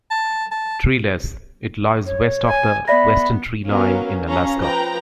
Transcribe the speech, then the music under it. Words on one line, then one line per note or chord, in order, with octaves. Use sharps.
Treeless, it lies west of the western tree line in Alaska.
A5
A5
C#5
G#5
B3 D5 E5 B5 A#6
F#3 B3 C#4 A#4 F5
C#4 A4 F5 A#5
F3 B4 G5 A#5